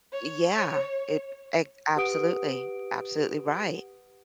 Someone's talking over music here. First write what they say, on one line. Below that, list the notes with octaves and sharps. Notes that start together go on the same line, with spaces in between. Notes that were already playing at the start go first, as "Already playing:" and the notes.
Yeah. It it absolutely, absolutely right.
C#5
G4 B4 F#5 D#6 D7